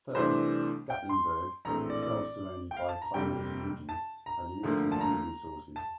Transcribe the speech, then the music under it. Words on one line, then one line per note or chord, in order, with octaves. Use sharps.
First, Gatlinburg, itself surrounded by high mountain ridges, had limited land resources.
C2 C3 E3 A3 D4 C5
G5
C6
A#1 A2 E3 A3 C4 A#5
D5
D5
G5
F5
A5
A#5
G1 F2 C3 G3 A#3 G5
A5
A#5
D2 D3 F3 A#3
A5
A#5
A5